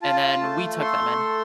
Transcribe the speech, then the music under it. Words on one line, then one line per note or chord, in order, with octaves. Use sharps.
and then we took them in,
F4 A5
A3
A4 C6
A3